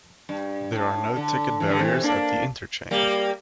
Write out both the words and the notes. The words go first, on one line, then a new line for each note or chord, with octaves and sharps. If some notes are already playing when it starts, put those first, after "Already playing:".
There are no ticket barriers at the interchange.
G2
A2
D3
E3
D3
C3 E3
A#3 D4
G3 A#3